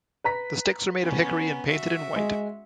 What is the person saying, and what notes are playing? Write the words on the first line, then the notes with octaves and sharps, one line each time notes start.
The sticks are made of hickory and painted in white.
B4 A#5 B6
B3 C#4
F#4 E5
G#3